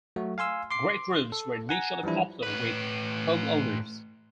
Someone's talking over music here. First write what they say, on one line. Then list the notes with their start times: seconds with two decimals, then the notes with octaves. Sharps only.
Great rooms were initially popular with homeowners.
0.16 F#3 A3 F#4
0.38 F5 G#5 C6 E6
0.71 C6 D6 C7
1.32 A4
1.69 F#5 G#5 A#5
2.03 E3 F3 G3 D4 E4
2.43 A2 B4